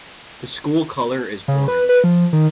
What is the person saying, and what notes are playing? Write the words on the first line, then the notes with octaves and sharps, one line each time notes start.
The school color is orange.
C#3
B4
B4
F3
D#3